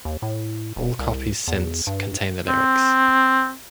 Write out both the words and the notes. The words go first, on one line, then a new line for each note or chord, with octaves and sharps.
All copies since contain the lyrics.
D#2
A2
D#1
C2
E2
G2
C4